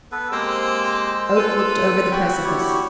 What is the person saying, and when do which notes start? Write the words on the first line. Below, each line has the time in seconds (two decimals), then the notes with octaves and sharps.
Oak looked over the precipice.
0.12 B3 A4 B4
0.31 G#3 A#3 C4 G4 C5 E6
1.37 F4 A4 B4
2.11 A#2 C4 F#4 G5 B5
2.44 E4 G4 C#5